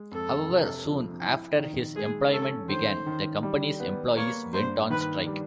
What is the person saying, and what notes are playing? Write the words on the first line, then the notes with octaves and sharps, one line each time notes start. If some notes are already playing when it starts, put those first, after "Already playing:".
However, soon after his employment began, the company's employees went on strike.
Already playing: G#3
F2 A4
C3
F3
E4
D#3
G#3 G#4
C#4 A4
D#3 C5
D#3
G3
B3
A#3 C#5
G2 C5
D#3 B4
G3